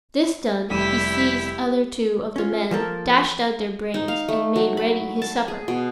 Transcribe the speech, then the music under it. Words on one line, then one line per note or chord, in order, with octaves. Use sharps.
This done, he seized other two of the men, dashed out their brains, and made ready his supper.
F1 G3 E4 G4 E6 B6 D#7
C#4 F4
F3 A#3 A4 A#4
D#4
F5
A3
F#3
B5
A5
G#4
B2